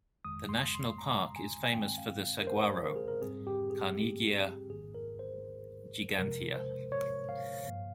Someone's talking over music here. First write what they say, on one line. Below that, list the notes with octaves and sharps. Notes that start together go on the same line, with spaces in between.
The National Park is famous for the Saguaro, "Carnegiea gigantea".
G1 F2 D#3 G#3 D#6
C6
C6
A#5
G#5
G#5
G2 D#3 G#3 C4 G5
F5
A#4
C5
A#4
G#4
A#4
G#2 G3 C4 G#4
G4
G#4
G#1 G#2 D#3 A#3 G#4
A#4
C5
F2 C3 F3 G#3 A#4
C5
C#5
F5
G2 F3 A#3 F5